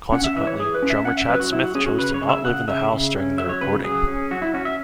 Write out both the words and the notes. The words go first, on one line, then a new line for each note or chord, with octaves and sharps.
Consequently, drummer Chad Smith chose to not live in the house during the recording.
C#4 F#5
E5
E3 E5
C#5
E3 G#4
B4
C#4
E5
C#4 F#5
E5
F#3 B4
F#4
F#3 E4
F#4
C#4 G#4
F#4
C#3 B4
C#5
C#3
E5
C#3 F#5
C#3 E5
C#3
C#4
F#3 E5
C#5
C#3 B4
F#3 G#4
C#4
F#3 F#4
E4
C#4 F#4
E5